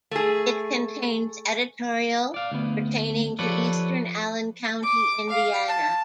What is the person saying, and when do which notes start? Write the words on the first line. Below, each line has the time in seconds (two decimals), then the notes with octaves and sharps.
It contains editorial pertaining to Eastern Allen County, Indiana.
0.11 A3 G#4
2.34 D5 F5
2.52 D2 B3
3.39 F3 G4 A4 B4 C#5 D5
4.83 D6
5.29 F5
5.68 A5